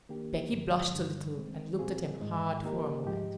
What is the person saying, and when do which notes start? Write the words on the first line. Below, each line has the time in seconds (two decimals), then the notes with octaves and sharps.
Becky blushed a little and looked at him hard for a moment.
0.09 D#3 A#3 D4 G4
0.52 G2 D3 F3 G#3
0.95 G2 D3 G3
1.37 D#3 G#3 C4
1.79 A#2 G3 C4 F4 G#4
2.21 G#2 D#3 G#3 D#4
2.63 D#3 A#3 D#4 G4 A#4
3.05 G#2 F3 G#3 D#4 G4